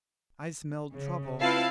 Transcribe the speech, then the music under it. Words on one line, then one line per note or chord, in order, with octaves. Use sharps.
I smell trouble.
C#3
C4 E4 F4 B4 F5 A5